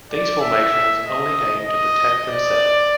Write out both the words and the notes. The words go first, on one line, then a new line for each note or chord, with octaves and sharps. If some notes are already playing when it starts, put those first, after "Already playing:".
These formations only aim to protect themselves.
D5
E5
D#5
D#5
D5